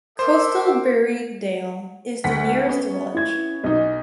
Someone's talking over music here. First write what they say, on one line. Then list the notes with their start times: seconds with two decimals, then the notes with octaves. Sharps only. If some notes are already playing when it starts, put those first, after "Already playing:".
Coastal Berriedale is the nearest village.
0.19 A4 A#4 C5 E5 D6
2.24 D2 F#5 B6
2.66 B3 C#4
3.14 E4 G#6
3.64 B1 D#4 D#5